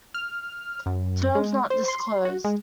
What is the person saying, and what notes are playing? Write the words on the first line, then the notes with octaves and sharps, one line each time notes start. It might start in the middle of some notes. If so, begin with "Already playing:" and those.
Terms not disclosed.
F6
F#2
G#3
C5
C6
F#4
G#3